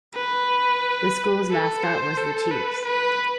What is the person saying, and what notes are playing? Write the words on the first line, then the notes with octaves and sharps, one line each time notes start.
The school's mascot was the Chiefs.
B4
A4
C5
A4
B4
B4